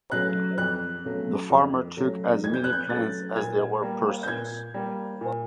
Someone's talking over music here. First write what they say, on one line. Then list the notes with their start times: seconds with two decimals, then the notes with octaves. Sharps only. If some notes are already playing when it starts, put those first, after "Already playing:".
The farmer took as many plants as there were persons.
0.11 C#3 F#3 A3 F#6
0.58 F2 F#6
1.05 C#3 F#3 A3
1.50 F2
1.97 C#3 F#3 A3
2.44 F2 G#6
2.54 G6
2.64 F#6
2.73 G6
2.90 C#3 F#3 A3 A6
3.36 A#2 G#6
3.82 G3 A#3
4.23 G6
4.28 A#2 G#6
4.74 G3 A#3
5.21 A#2